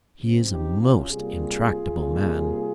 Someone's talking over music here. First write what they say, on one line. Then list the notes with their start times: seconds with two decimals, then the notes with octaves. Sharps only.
"He is a most intractable man."
0.21 C#3 F3 C4
0.51 D#4 G4
0.82 C#4 F4
1.11 C3 G3 A#3 F4 G#4
2.02 C3 G3 A#3